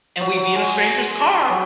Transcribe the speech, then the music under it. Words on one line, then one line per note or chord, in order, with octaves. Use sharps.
and we'd be in a stranger's car
F#3
F#3
G#3
G#3
F#3